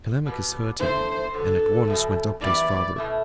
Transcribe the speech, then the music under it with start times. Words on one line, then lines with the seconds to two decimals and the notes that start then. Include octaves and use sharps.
Telemachus heard him, and at once went up to his father.
0.26 B2 G3 B3
0.79 D3 A3 E4 C5
1.34 D3 F#3 B3 A4
1.88 E2 B2 A3
2.42 G2 E3 B3 E4 G4 D5
2.96 B2 A3 E4